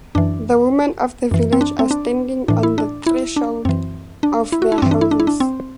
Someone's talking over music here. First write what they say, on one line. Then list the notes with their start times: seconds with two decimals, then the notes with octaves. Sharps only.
The women of the village are standing on the thresholds of their houses.
0.15 F#2 E3 D4
1.31 F#2 E3
1.53 C4
1.61 D4
1.79 C4
1.91 D4
2.48 A2 E3 D4
2.63 E4
2.78 D4
3.06 E4
3.36 D4
3.65 F#2 E3 C4
4.23 D4
4.52 E4
4.62 F#4
4.72 E4
4.78 D4
4.82 G2 E3 C4
4.91 D4
5.01 E4
5.11 D4
5.20 E4
5.27 D4
5.40 C4